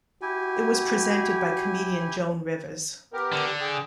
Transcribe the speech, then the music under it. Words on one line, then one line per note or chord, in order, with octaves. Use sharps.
It was presented by comedian Joan Rivers.
E4 F#4 G4 G#5
B3 G4 A#4
D3
G#4 G5